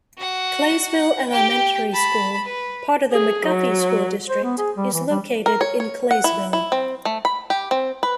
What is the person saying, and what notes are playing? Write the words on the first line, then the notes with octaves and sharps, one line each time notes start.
Claysville Elementary School, part of the McGuffey School District is located in Claysville.
F#4 F#5
F#5
G4 G5
A5 B5
B4
G#4
F#3
C5
B3
G#4
G3
E3
G3
A#4
C#5
C#5
F#5
E4
E4
C4
A3
B5
G4
C4
B4